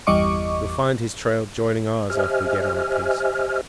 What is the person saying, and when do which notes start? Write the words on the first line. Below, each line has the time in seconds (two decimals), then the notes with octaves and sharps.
You'll find his trail joining ours after we get on a piece.
0.07 G1 E2 G3 D#5 C#6 D6
2.10 G4 C5 D#5 E5 G#5 F6